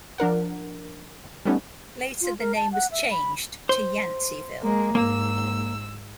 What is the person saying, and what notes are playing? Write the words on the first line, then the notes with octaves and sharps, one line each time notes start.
Later, the name was changed to Yanceyville.
F3 D4 A#4 F#5
G3 A3 B3 C#4 D#4
F4
A#4
A5
F#5
E5
B5
C5
G#3 A#3
G#2 A#3 E6